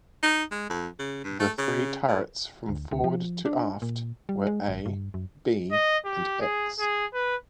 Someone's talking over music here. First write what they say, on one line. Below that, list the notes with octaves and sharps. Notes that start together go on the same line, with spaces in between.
The three turrets from forward to aft were "A", "B" and "X".
D#4
G#3
F2
C#3
G2
A3
C#3
A2
D2
D2
F3
D4
A#2
G3
G#3
G#1
G2
F#2
D#5
G4
G#4
G#4
B4